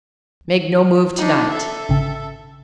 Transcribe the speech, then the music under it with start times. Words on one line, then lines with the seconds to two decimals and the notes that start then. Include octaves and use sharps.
Make no move to-night.
1.18 D4 D#4
1.51 A4 E5
1.89 G#1 C#3